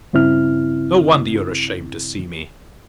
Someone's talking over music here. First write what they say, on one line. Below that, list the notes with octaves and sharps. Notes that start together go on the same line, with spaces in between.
No wonder you are ashamed to see me.
G2 C#3 C4 E4 F6